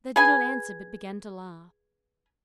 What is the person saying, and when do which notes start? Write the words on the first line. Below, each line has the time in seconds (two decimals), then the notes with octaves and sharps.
They did not answer but began to laugh.
0.16 G#4 B4 G#5